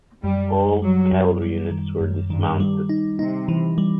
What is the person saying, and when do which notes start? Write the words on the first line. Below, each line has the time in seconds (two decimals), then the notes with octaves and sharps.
All cavalry units were dismounted.
0.23 F#2 G3
0.54 F#2
0.82 F#3 G3
1.12 F#2
1.42 G3
1.71 D#3
2.01 F#2
2.30 G2 D#3
2.60 G3
2.89 D#4
3.19 C3 D#4
3.48 E3
3.78 G3